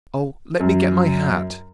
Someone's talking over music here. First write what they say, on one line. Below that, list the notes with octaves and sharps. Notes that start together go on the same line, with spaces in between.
"Oh--let me get my hat!"
F#2